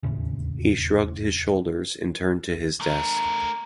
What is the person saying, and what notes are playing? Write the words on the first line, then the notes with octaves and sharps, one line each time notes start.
He shrugged his shoulders and turned to his desk.
E1 D#2 A2 C#3
A3 A#4